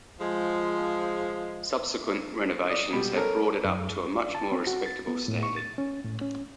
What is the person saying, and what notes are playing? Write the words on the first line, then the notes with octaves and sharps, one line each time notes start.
Subsequent renovations have brought it up to a much more respectable standard.
F3 G#3
D5 D#6
B2 G3 B5
C#4 A4 A#4
F#2
D5
A5
C4
F#4
A6
B3
A2
C#6
A6
C#4
A2
C#4